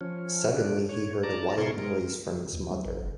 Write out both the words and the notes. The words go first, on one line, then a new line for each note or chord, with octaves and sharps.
Suddenly he heard a wild noise from his mother.
F3 C#4
D4
C#5
D5 A5 A#5
B2 E4 A#4 C6 C#6
G#3 A#4
D#2
F#3
A1
F#1